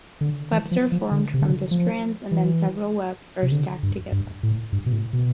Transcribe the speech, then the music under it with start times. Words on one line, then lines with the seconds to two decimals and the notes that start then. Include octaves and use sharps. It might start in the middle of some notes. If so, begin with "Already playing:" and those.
Webs are formed from the strands and then several webs are stacked together.
0.21 D3
0.52 E3
0.71 F3
0.92 F3
1.11 D3
1.34 C3
1.42 D3
1.71 F3
2.31 E3
3.43 C3
3.52 D3
3.83 G2
4.12 G2
4.43 A2
4.72 G2
4.86 B2
4.92 A2
5.13 B2